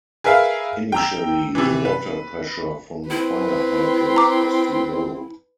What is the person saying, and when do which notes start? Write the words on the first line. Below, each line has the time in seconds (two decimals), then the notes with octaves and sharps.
Initially, the water pressure from the fire hydrants was too low.
0.24 G#4 A#4 B4 E5 F5
0.92 G5 A#5 E6
1.55 C3 E3
1.85 B4
3.10 C4 E4 B4
4.16 A#5 D6